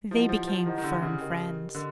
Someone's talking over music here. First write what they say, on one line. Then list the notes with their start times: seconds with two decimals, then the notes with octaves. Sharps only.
They became firm friends.
0.11 F3 E4 G4 C5 D#5 F#5
0.29 F3
0.48 F3
0.66 D#3 E4 G4 C5 D#5 F#5
0.78 D#3
0.84 D3
1.02 C#3
1.20 G4 A#4 D#5 G5
1.75 D3 G4 A#4 D#5